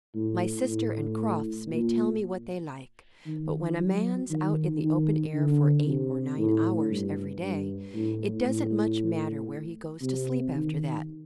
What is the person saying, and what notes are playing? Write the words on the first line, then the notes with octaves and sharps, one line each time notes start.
My sister and Crofts may tell me what they like, but when a man's out in the open air for eight or nine hours every day, it doesn't much matter where he goes to sleep after that.
A2
A2
A#2
D#3
F#3
D#3
D#3
D3
C3
A2
G2
G2
A2
A2
C3
D#3